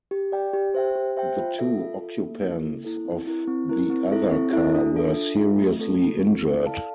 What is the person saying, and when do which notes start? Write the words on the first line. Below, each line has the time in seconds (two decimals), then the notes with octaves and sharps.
The two occupants of the other car were seriously injured.
0.11 G4
0.32 D5 G5
0.53 G4
0.74 C5 E5 G5
0.96 G4
1.17 C5 E5 G5
1.37 F4
1.59 A4 E5
1.79 F4
2.01 A4 E5
2.22 A#3
2.42 E4 A4
2.63 A#3
2.85 E4 A4
3.05 C4
3.27 E4 A#4
3.47 C4
3.69 E4 A#4
3.90 C4
4.11 E4 A4 E5
4.32 C4
4.53 E4 A4 E5
4.74 D4
4.95 F4 A4 E5
5.16 D4
5.38 F4 A4 E5
5.58 A3
5.79 C4 F4 A4
6.00 A3
6.21 C4 F4 A4
6.43 E4
6.63 A4 D5 F5 A5